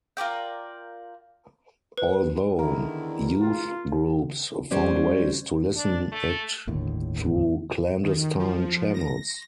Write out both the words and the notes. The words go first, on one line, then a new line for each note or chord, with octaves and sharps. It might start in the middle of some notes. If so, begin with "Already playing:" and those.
Although youth groups found ways to listen it through clandestine channels.
F4 A#4 D5 G5
B4
E2 D3 D#3 E4 A#4
C#3 F4
G3 C#4 C5 D5
D4
A3
G1 D#2 A2 D3
D#3
F3
A#6